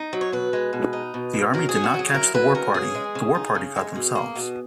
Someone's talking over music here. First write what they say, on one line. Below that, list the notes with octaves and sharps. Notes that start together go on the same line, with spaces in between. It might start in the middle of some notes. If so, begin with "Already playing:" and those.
The Army did not catch the war party, the war party caught themselves.
Already playing: D#4
F#3
C#5
B2 B4
G#3
B2
D#4
B2
G#3
F#3 A#4
G#4
C#4
F#4
F#3
G#4
E4 A#4
F#3 B4
C#4 A#4
C#3 G#4
G#3
C#3
D#4
C#3
G#3
B2
A#3
B2